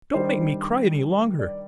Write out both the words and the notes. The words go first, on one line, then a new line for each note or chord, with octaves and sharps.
Don't make me cry any longer!
D#3 G3 D4 C5
D5